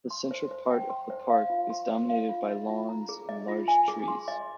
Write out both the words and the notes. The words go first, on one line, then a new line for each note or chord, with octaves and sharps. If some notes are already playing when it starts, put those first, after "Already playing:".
The central part of the park is dominated by lawns and large trees.
C6
C5
C5
G5
C6
C5
F5
F4
C6
C5
F5
F4
D#5
F4
A#5
G#4
D#5
F4
G#5
G#4
C6
D#5